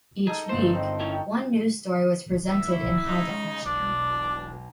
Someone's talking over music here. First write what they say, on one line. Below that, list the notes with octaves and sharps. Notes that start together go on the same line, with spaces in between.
Each week, one news story was presented in high-definition.
D#4 G#4 A4
G1 C4 C5 E7
D#3
C#4 E4 A#4 C#5 G5
E2 E5
E4
C#3 G#3 D#4
E1 B1 D4 D5